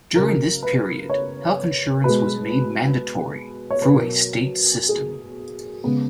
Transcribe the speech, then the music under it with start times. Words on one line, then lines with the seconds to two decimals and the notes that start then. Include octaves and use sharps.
During this period, health insurance was made mandatory through a state system.
0.15 C#3 F#3 A#4
0.63 B4
1.10 C#5
2.04 B2 G#3 B4
3.71 C#5
3.82 B4
3.94 B2 F#3 A#4
4.89 G#4
5.84 C#3 G#3 B3